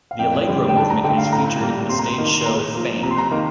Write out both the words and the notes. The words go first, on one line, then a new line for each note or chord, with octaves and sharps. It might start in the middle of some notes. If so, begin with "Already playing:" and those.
The "Allegro" movement is featured in the stage show "Fame".
F5
F2 G5
D3 G3
G5
G2 A5
A#5
D3 A3 G5
F5
A2 A#5
G3 A#3
C3 C6
A#5
C6
D#3 A#3
C6
A#2 A#5
F3 A#3
C3 A#5
C6
A#5
D#3 A#3